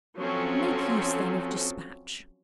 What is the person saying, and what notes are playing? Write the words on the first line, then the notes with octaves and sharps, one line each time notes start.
Make use then of despatch.
F3 F#3 C4 C#4 A4